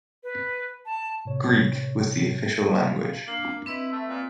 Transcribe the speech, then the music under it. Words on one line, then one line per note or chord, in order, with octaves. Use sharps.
Greek was the official language.
B4
A5
A2 C3 C#5
F5
A#3 D4
C4 E4 B4 D#5
A3
A#2